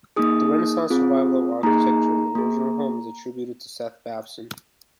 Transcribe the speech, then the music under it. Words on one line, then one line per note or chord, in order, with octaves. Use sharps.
The Renaissance Revival architecture of the original home is attributed to Seth Babson.
A#3 D#4 G#4 D#6
C4 F4 G#4
A#3 D#4 G#4 A#5
A#3 G#4